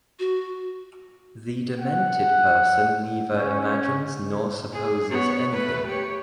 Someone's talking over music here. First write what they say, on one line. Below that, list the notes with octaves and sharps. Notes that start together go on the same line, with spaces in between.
The demented person neither imagines nor supposes anything.
F#4
F#5
C#4
G#4
B3 C#5
A3 B4
G4 C#5